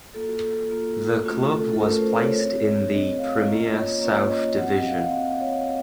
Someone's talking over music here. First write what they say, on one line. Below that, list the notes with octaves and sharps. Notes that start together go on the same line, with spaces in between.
The club was placed in the Premier South Division.
A#3 F4 A4
F#4
A4
A#3 F4
A3 C#4 F4 F#4
F#4
A4
A4
A3 C#4 F4 A#4
C5
C#5
C4 F#4 C#5
C#5
C4 F#4 D#5
F5
A#3 C#4 F4 D#5
C#5
A#3 C#4 F4 C#5
D#5
C4 F#4 F#5
D#5
F5
F5
C4 F#4 D#5
C#5